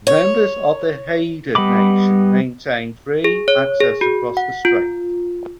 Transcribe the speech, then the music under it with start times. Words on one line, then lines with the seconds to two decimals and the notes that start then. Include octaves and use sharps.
Members of the Haida nation maintain free access across the Strait.
0.07 C#5
1.55 G3 B3 D#5 B5 D6
3.24 G#4
3.48 C#5
3.80 G#4
4.01 F#4
4.37 F#5
4.65 F4